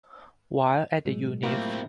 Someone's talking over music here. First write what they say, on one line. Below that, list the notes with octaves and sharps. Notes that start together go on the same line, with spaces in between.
While at the Univ.
A2 F#3 G#3
A3 A#3 C4 E4 F4 G4